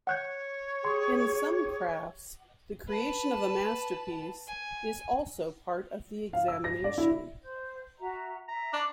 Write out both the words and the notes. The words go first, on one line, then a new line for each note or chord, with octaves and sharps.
In some crafts, the creation of a masterpiece is also part of the examination.
C#5 F#5 F#6 G6
G4 G#4 C6
B4 A5
G#5
F5
E6
A#6
D5
E4
C5
F#4 E5 A#5
E5 A#5
D4 C#6 D6 F#6